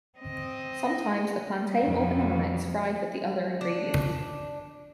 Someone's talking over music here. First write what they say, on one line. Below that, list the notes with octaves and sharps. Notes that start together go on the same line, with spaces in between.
Sometimes a plantain or banana is fried with the other ingredients.
C4 D#5
F2 B2
D4